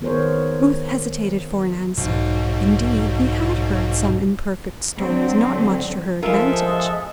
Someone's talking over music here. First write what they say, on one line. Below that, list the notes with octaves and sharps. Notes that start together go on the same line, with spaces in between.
Booth hesitated for an answer; indeed, he had heard some imperfect stories, not much to her advantage.
D#3 B3 G#4 A#4 C5 C#5
B1 G#2 B2
D3 F#3 G#3 C4
F3 G#3 F4 A4 A#4 E5